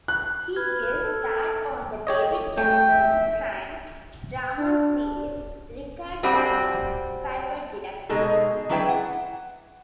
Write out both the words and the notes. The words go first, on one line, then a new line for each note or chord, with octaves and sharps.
He guest-starred on the David Janssen crime drama series "Richard Diamond, Private Detective".
F#6
B4 F6 G#6
A4
G4 C#5 D#5
A3 G5
E5
D4
G3 C4 F#4
B2 G#3 D#4 G#4 A4
F#3 D4 E4 G#4 B4 G5
F#5